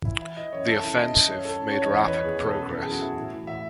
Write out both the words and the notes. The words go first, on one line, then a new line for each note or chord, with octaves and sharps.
The offensive made rapid progress.
E3 E4
E3 E4
E3 D#5
F#2 C#5
F#2 A4
D#3 E4
F#2 D#5
D#3 D#5
F#2 C#5
F#2 A4
F#2
C#5
E3
D#5
E2 D#5
C#5
E2 B4
E2 G#4
B2 A4
F#2 B4
E3 A4
F#2 G#4
F#4
E3 E4
A2
E3
A2 E5